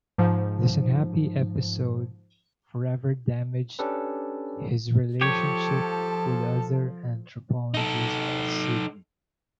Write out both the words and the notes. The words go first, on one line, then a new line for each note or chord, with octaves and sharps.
This unhappy episode forever damaged his relationship with other anthropologists at Sydney.
G#2 F3
C#4 D4 G4 A4 B4
F3 G4 A4 C#5 A5
D#4 A4